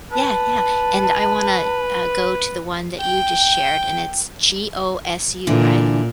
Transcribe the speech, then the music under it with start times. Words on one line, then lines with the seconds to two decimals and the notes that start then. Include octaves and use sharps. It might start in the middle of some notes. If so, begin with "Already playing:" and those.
Yeah, yeah, and I wanna, uh, go to the one that you just shared, and it's G-O-S-U, right?
0.12 B4 A5
3.00 G5
5.47 A#2 D3 E3